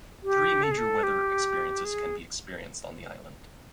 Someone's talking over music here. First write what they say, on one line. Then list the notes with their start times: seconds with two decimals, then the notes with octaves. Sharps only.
Three major weather experiences can be experienced on the island.
0.23 G4
0.63 A4
0.71 G#4
0.78 A4
1.03 G4
1.85 G#4